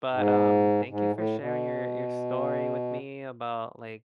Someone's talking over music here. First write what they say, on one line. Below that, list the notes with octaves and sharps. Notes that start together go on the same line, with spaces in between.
But, um, thank you for sharing your your story with me about, like,
G#2
G#2
A2
B2